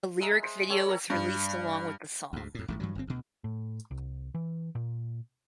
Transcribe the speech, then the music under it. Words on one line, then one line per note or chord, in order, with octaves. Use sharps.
A lyric video was released along with the song.
G#3 E5 A#5
C5
A4 C#5 G5
A4 A#4 C#5
G2
D2 G#2
F2 A2
A1 G#2 D3 A3
G2 E3 F#3
G1 F2 C4
D2 B2
A2
C2
E3
A#2